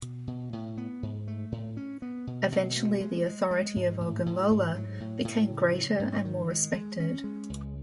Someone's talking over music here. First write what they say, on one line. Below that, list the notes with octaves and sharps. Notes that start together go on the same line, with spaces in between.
Eventually the authority of Ogunlola became greater and more respected.
B2
B2
A2
B3
G#2
A3
A2
C#4
B3
B2
B2
A3
G#3
G#3
G#3
G#2
A2
A2
G#2
F#3
A2
A2
C#3
F#3
G#2
D#3
G#3
G#3
C#4
G#3
C#2